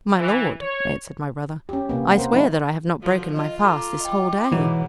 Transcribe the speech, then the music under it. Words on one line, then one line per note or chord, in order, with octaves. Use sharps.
"My lord," answered my brother, "I swear that I have not broken my fast this whole day."
E3
C#5
C#4 G4
C3 A#3 B3
A#4 C5
F#3 C#4 D#4 E4
D3 F3 F#3
F4 D#5
A4 A#5 D6
D#5 G5
G#2 B2 E3 C#5 F#5 A#5